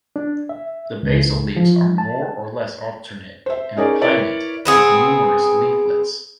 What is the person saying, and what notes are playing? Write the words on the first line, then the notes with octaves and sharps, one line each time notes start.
The basal leaves are more or less alternate, and pinnate, with numerous leaflets.
D4
E5
C#2
F3
A5
C5 E5
C#4 D#4 G#4 A#4 C#5 D5
E4 A#4 B4 C#5 D5 E5
B3 C4 G#4